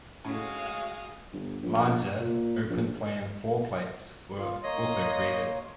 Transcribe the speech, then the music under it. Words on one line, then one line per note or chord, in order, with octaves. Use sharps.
Larger, open plan floorplates were also created.
A2 G#3 C#4 F#4 F5 D#6
G1
A#1
A#2
A#1
F4
A#3 C#5 D#5 C6